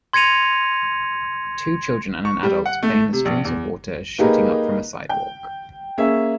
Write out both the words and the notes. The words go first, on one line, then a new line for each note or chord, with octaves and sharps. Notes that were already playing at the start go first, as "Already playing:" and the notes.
Two children and an adult play in the streams of water shooting up from a sidewalk.
C6 G#6 A#6 C#7 D#7 F7
C#6
G3
F#5
A3
C3
A#1
E2
A#3 D#4 G4 G#4 A#4 B4
G5
A#3 C#4 G#4 E5